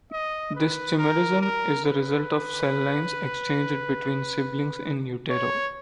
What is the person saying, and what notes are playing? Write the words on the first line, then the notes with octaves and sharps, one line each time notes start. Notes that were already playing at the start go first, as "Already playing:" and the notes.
This chimerism is the result of cell lines exchanged between siblings in utero.
D#5
B4
A#4
A#4
B4
C#5